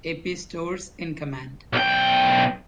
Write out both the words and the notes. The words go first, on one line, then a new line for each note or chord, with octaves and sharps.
A. P. Storrs in command.
B1 G5